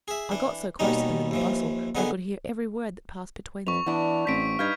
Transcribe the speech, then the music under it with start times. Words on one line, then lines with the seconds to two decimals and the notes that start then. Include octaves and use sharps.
I got so close to them in the bustle that I could hear every word that passed between them.
0.08 G#4 E5
0.31 E3 D4
0.79 D#2 B2 D#3 G3 C#4 D#4
1.31 D#2 E3 F3
1.95 D3 D#3 B3 G#4
3.67 F2 B4 C#6 F7
3.86 E3 B3 D4
4.27 A1 C4 B6 D7
4.59 G2 D#4 B4 F5 F6 G6 G#6